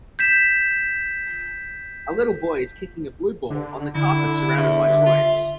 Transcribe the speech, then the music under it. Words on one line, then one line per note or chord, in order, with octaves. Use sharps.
A little boy is kicking a blue ball on the carpet surrounded by toys.
G6 B6 E7
D3
D3 E4
E2 E5
G2
F4